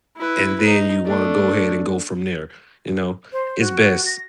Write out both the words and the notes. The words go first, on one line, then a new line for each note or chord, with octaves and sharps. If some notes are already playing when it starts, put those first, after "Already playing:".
and then you wanna go ahead and go from there, you know? It's best.
E4 B4
D#4
A3 D4
C5
F#4
A#6